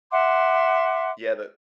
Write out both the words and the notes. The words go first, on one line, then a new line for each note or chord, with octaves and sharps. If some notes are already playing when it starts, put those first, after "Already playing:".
Yeah, the
E5 F#5 C6 D6